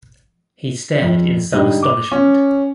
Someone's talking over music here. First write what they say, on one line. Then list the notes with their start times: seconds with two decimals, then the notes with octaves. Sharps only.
He stared in some astonishment.
1.02 F2
1.52 G#2 D3 G3 D#5
1.83 D6
2.12 C#4